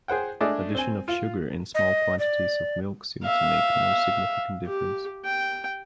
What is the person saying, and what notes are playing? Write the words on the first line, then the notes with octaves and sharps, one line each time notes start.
Addition of sugar and small quantities of milk seem to make no significant difference.
G#4 C5 F#5 G5
G#3 A3 D4 G#4 D5 D#5
C4 G#5
F4
D#5
D5
E5 F5
G4
G5